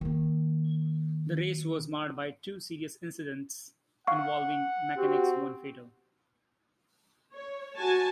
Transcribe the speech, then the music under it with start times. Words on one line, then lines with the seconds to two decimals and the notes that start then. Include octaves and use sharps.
The race was marred by two serious incidents involving mechanics, one fatal.
0.01 D#3 A#3
4.07 F5 F#5 C#6
4.97 C4 F#4 G4
7.34 C#5
7.78 F#4 G#5 A5